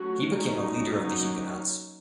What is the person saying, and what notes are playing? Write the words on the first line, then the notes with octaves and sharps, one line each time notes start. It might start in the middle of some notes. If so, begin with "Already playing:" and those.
He became a leader of the Huguenots.
Already playing: F#3 A3 C#4 F#4
F#3 A3 C#4 D#4
F#3 A#3 C#4